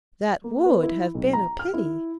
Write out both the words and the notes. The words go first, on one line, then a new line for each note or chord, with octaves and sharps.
That would have been a pity.
A#3
B3
E4
B1
A#5
F6
E4